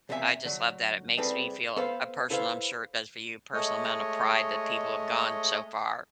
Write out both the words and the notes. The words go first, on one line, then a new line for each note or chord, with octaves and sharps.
I just love that, it makes me feel a a personal- I'm sure it does for you- personal amount of pride that people have gone so far
E2 C3 A#3 C#4 E5 G#5
D3 F#3
C2 G3 C4 G#4 A4 B4
B3 A4 B4 C5 F5
E4 A4 B4 C5 F5
G#3 A3 C#5 D#5